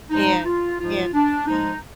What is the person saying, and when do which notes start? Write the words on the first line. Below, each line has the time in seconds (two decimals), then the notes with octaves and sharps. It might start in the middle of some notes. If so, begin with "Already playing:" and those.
and and see
0.11 G#2 F3 G#3 D#4
0.45 F4
0.79 G#2 F3 G#3 F4
1.14 D4
1.47 G#2 F3 G#3 D#4